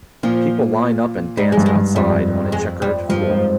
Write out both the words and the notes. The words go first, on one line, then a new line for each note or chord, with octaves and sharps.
People line up and dance outside on a checkered floor.
A#2 F3
G#2 G3
G#3
G2
G#3
G2
F2 G3
G#3
G3
G2 F3
G#2